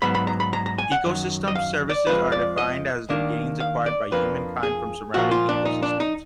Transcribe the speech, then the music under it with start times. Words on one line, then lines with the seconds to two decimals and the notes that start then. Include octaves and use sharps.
Ecosystem services are defined as the gains acquired by humankind from surroundings ecosystems.
0.02 G#2 F#3 B3 B5
0.15 B5
0.27 A#5
0.40 B5
0.53 A#5
0.66 A#5
0.78 G#5
0.92 F#5
1.04 F#2 D#3 F#3
1.48 D#5
1.55 F5
1.89 D5
2.07 F2 F3 G#3 B4
2.32 D5
2.58 D#5
3.09 D#2 D#3 A#3 D4
3.60 F5
3.86 D5
4.12 F2 F3 A#3 D4 B4
4.63 G#4
5.14 A#2 F3 A#3 F#4
5.31 F4
5.49 D4
5.65 D#4
5.83 D4
6.00 D#4